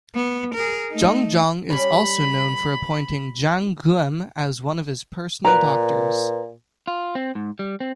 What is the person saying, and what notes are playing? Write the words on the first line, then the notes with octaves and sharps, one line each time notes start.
Jungjong is also known for appointing Jang Geum as one of his personal doctors.
B3
G#4 A#4
A3 D#4
G3 C#4 B5
A#2 B4 A#5
F4
C4
G#2
G3
C4